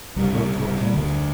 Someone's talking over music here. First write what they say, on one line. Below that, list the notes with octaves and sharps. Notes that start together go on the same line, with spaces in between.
I looked toward Templeton.
C#2 C3 G3
D2 D3